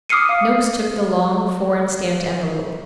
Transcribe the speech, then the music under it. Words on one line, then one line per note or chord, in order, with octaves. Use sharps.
Noakes took the long, foreign-stamped envelope.
D6 D#6 F6 C7 C#7 D#7
F5